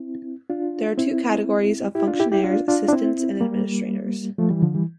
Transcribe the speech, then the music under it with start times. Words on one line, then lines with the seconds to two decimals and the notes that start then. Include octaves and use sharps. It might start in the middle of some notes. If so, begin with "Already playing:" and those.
There are two categories of fonctionnaires Assistants and Administrators.
Already playing: C4 E4
0.50 D4 F4
0.98 C4 E4
1.95 E4 G4
2.07 D4 F4
2.20 E4 G4
2.32 E4 G4
2.44 D4 F4
2.68 D4 F4
2.89 D4
2.92 C4 E4
3.41 G3 A#3
4.38 F3 A3
4.50 E3 G3
4.62 D3 F3
4.74 E3 G3